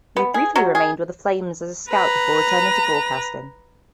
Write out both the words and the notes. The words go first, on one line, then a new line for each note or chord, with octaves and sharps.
He briefly remained with the Flames as a scout before turning to broadcasting.
B3
G#4
F#3
G#4
B4 A#5